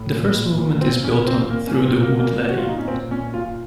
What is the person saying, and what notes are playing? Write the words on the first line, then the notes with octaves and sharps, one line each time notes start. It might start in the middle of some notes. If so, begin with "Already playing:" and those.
The first movement is built on "Through the Wood Laddie".
Already playing: A2
A#2
A#2
A#2
A#2 C4
A#2 C#4
A#2 C4
A#2 A#3
C#4
A#2
C4
A#2
A#3
A#2 A#3
A#2
F#4
F4
A#2 D#4
C#4
A#2 C4
A#2 C#4
A#2 F4